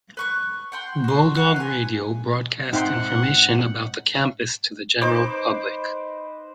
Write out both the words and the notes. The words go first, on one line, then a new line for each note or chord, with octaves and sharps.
Bulldog Radio broadcast information about the campus to the general public.
B4 C#6 F#6
F#5 G5 C6
F#4 C6
F#5 A#5 C6 F#6
B4 G#5
G#2 C4 D#4 C5 E5 F#5 G5 C6
D#4 B4 C5 D6